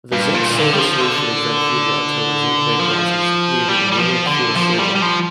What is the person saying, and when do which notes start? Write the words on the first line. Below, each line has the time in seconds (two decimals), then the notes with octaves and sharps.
The zinc-silver solution is then heated until the zinc vaporizes, leaving nearly pure silver.
0.12 G2
0.34 A#2
0.57 D3
0.73 G3
0.79 F3
1.01 D3
2.79 F3
3.68 G3
3.92 G3
3.97 F3
4.27 D3
4.57 F3
4.79 G3
4.95 G3
5.02 F3